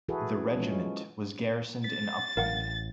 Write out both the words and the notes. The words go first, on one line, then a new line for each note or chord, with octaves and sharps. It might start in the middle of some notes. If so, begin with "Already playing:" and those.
The regiment was garrisoned in Uppland.
E3 E4 F#4 G#4 A4 B4
F3 G#3 C#4
A6 B6
A1 A#4 F5 F#5